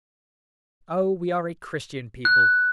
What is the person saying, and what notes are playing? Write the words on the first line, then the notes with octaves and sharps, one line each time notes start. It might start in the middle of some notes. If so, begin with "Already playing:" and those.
Oh! we are a Christian people!
F#6